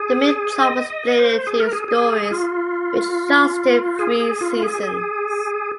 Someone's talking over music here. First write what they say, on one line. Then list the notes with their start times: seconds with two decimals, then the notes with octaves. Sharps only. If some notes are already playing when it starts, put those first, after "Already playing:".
The main plot was split into stories which lasted three seasons.
Already playing: G#4
0.62 D#5
0.90 D#5
1.19 C5
1.47 G#4
1.60 A#4
1.73 G#4
1.88 G#4
2.31 F4
3.99 G#4
4.20 G#4
4.41 F4
4.62 G#4
4.83 G#4